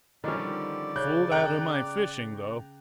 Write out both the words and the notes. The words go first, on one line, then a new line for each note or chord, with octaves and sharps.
Fooled out of my fishing though.
D3 D#3 F3 G3 C#4 D5
C#3 C#5 F#6 G6
G5 A#5 F#6 G6